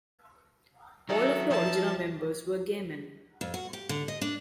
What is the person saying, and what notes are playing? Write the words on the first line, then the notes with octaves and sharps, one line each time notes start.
All of the original members were gay men.
D#3 F#3 A4 E5
F3 A5
F2
F#4
G4
D3
D#5
D4